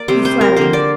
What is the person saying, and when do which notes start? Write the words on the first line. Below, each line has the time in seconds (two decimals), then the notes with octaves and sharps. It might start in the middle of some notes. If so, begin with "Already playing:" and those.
"You flatter me!"
Already playing: A#3 D5
0.08 C3 G3 C4 C5
0.25 C5
0.41 A#4
0.57 D3 A#3 C5
0.73 D5